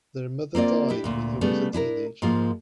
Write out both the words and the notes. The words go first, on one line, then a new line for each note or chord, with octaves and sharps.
Their mother died when he was a teenager.
A#3 C4 F4 D5
D4 E4 G4
D2 A#2
C#3 G3 A3 B3
D4 E4 G#4 A#4
G#2 F3 A#3 F4